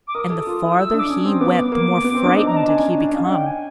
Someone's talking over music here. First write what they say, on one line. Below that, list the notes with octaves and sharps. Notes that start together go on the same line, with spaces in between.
And the farther he went the more frightened did he become.
D6
A#4 D#6
A4
F4
E4
E6
D4
D6
C#4 D#6
C4
B3 D6
A#3 D6
B3
C4
D4
D#4 D#6
A#5
D#4
A5
D4 G#5
C#4
C#4
D4
D#4
F5
D4 F#5
G5
G#5